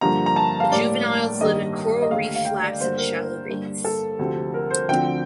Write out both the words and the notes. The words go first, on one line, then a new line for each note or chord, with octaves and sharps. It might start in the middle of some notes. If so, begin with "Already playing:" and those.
The juveniles live in coral reef flats and shallow bays.
G2 D3 F3 A#3 A#5
A#5
A5
F5
A2 G3 A#3 D5
G2 D#3 G3 A#3 D#5
D#5
D#2 D3 A3 F5
F5
G5
D5
G2 D3 G3 A#3 C5
A#4
G2 D3 G3 A#3
A4
D2 C3 F3 C4
A#4
C5
D2 D3 F3 C4 G5